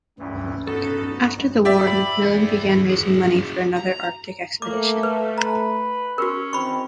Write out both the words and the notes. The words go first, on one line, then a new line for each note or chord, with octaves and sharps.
After the war, MacMillan began raising money for another Arctic expedition.
D2 G2 E3 C#4
B3 D#4 F#4 A4
G4 D5 E5
B5
E3 G#4
F#4 G#4
A#5
A3 A#3 D6
B4
B4 A#5
C#4 F#4 A#4
E2 D#3 C4 B5 C#6